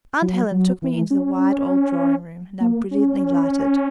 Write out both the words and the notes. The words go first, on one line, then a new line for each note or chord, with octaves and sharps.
Aunt Helen took me into the wide old drawing-room, now brilliantly lighted.
F#3
F#3
E3
C#4
A#3
C#4